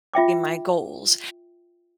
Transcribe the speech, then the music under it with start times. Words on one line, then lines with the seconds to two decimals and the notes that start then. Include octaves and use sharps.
my goals.
0.14 F4 E5 G5 D6